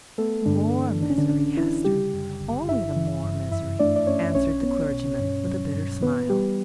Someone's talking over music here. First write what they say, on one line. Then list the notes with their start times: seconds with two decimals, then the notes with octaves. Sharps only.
"More misery, Hester!--Only the more misery!" answered the clergyman with a bitter smile.
0.18 A3 B3 A4
0.46 G2 D3 D4
0.73 E3
1.02 A1 D4
1.10 C#4
1.18 D3 D4
1.29 A1 D3 D4
1.57 D3 E3 E4
1.85 C#3 G3 G4
2.13 F#2
2.41 G1
2.68 G2 E4 E5
2.96 E3
3.23 G2
3.51 F#2 E4 E5
3.79 A3 D4 D5
3.96 D5
4.07 A3 C#4 C#5
4.35 B1 C#4 C#5
4.63 B3
4.91 B2
5.19 G2
5.47 F#3
5.74 G2
6.02 E3 B3 B4
6.29 E3 G3 G4